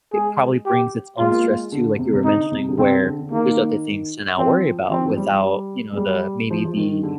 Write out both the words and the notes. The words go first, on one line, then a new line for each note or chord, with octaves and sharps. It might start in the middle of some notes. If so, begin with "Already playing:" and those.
it probably brings its own stress too- like you were mentioning- where there's other things to now worry about without, you know, the maybe the,
G#3 G#4
G4
G#3 F4
A#3
G#3
D3
C3
C3
D3 D#4
C3
D3
C3 C4
D3
D3
D#3 A#3
F3 C4
F3 C4
D#3
F3
G3
G#3
G3
F3
F3
D#3
D3